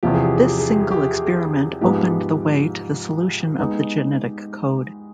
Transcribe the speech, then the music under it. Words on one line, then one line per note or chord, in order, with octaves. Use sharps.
This single experiment opened the way to the solution of the genetic code.
E2 C3 F3 G4
G#4
G4
G#4
G4
G#4
G4
G#4
G4
G#4
G4
G#4
G4
G#2 F3 G#3 B3 G4
G#3 B3 D#4